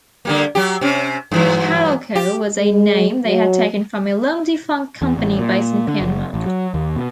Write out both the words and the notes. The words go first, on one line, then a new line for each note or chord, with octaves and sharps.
"Carolco" was a name they had taken from a long-defunct company based in Panama.
D3 G3 A#3
F#3 G4
C3 C#4
G2 E3 F#3
G4
G#3
F#3
E2
A1
A#2
D3
F#1
A1
F#3
D#2
B2